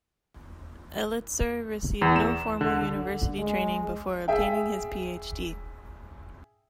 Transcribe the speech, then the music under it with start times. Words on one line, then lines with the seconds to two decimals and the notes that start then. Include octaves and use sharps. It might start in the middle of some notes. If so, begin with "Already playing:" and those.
Elitzur received no formal university training before obtaining his PhD.
2.02 E2
2.16 E7
2.61 D3
2.93 D3
3.39 G#3
4.28 G#4 E5 G5